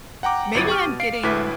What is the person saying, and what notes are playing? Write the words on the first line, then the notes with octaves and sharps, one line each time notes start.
maybe I'm getting
F#5 G5 A#5 D6
G1 F#3 E4 A6 D#7
G4 C#6 F6
B2
F5 C7 D7
D2 A2 E4 B4 D6 B6